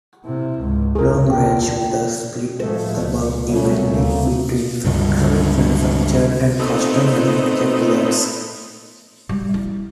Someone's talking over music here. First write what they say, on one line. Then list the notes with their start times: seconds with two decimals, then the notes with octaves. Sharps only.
Long-range shooters split about evenly between factory manufactured and custom-manufactured bullets.
0.25 C3 E4
0.58 C#2 G#2
0.95 E2 C3 G#4 A#4
1.30 E2 D3 G5
2.61 A2 D#3 F3 G#3 A3
2.98 C#2
3.47 B2 F#3 G3 A3 A#3 C#4
3.86 D2 C#3 A3 A#3
4.85 C#2 G2 D3
6.59 A3 B3 C4 D#4
9.29 G3
9.54 E4